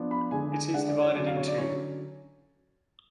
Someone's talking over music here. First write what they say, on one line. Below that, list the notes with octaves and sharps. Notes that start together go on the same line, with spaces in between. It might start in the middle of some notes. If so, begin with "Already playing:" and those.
It is divided in two.
Already playing: F3 B3 D4
B5
D3 G#3 D4 G#5
G#5
D3 G#3 D4 F#5
D5
C#5
D3 F#3 C#4 D5
F5
C#5
D5
D3 F#3 C#4 C#5